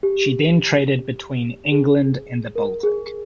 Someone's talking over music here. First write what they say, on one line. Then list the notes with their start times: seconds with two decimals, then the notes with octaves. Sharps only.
She then traded between England and the Baltic.
0.03 G4
1.72 G#4
2.56 A#4
2.83 G#4